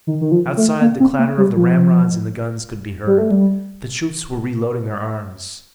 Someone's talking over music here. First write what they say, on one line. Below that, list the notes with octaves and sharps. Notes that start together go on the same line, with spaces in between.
Outside, the clatter of the ramrods in the guns could be heard; the troops were re-loading their arms.
D#3
D#3
F3
A3
A#3
C4
A#3
G3
F3
G3
A3
G3